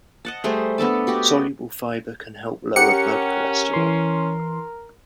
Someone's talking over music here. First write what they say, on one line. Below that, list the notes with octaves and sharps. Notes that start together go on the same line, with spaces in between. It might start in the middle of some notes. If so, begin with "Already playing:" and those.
Soluble fiber can help lower blood cholesterol.
D#5 F#5 A5
G3 A3 G#4 C5
B3 D4 A4 A5
F#4 G4 D5 D#5
C#4 G4 A#4 F#5 C#7
E3 C6